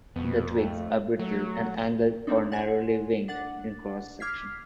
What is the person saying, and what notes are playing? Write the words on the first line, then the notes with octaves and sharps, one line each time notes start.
The twigs are brittle, and angled or narrowly winged in cross-section.
F2 B2 B3
A3
F#3 A3
A3 A#3 C4 D4 D#4
F#5 G#5 C6
D4 F#5 A6
D6 F6 G#6 B6 C7